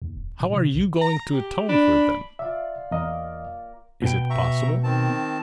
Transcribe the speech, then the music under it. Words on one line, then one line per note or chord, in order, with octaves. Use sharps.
How are you going to atone for them? Is it possible?
D#2
D1
A2
C3
B1
A#5
G4
D4 B5
F4 D5 E5
E2 A#3 A#4 D#5
B2 G5
E5 A#5 C#6
D#3 C4 A5